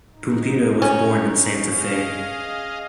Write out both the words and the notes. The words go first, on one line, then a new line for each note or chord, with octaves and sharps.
Pumpido was born in Santa Fe.
G#2 D#4
C#4
G#4 D#5 F5